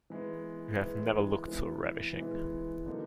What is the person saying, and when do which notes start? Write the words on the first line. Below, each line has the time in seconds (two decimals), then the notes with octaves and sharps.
You have never looked so ravishing.
0.10 E3 G#3 B3
0.79 E3 G#3 B3
1.48 E3 G#3 B3
2.17 E3 G#3 B3
2.86 D3 F#3 A#3 D#4